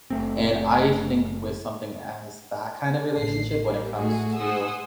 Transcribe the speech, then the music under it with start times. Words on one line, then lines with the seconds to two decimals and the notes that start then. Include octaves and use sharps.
And I think with something as that kind of relationship when it comes to,
0.10 F#1 A3 C4
3.16 A1 C7
3.65 G3 A#3
3.98 A2 A3 F#4 G#4
4.36 F#5 G#5 C6 D#6 E6